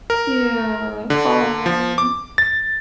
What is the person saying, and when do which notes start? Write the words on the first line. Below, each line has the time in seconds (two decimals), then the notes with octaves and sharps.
Yeah, oh.
0.10 A#4
1.10 D3
1.66 F3
1.98 D6
2.38 A6